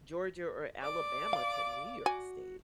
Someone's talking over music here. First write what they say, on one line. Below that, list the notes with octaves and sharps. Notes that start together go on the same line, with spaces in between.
Georgia or Alabama to New York State,
D5 D6
F5
F#4 G#5